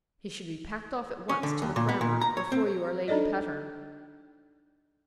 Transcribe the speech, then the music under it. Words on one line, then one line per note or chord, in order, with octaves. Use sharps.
He should be packed off at once to the crammer, before you are Lady Patterne.
C#4
D3
D#2
A#2
B3
A#2
A#5
C#5
C4
D4 D#4 A4 D5 D#5